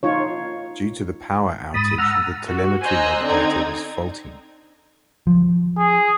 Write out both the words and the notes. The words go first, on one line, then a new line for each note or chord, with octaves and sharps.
Due to the power outage, the telemetry log data was faulty.
D#4 F4 C#5
G#2 B5 D#6 A6
F#5 A#5 E6 F6
F#4
C5 D#5 G#5 A#5 E6 F#6
D3 C4 D#4 D5 A#5 G#6
F3
G#4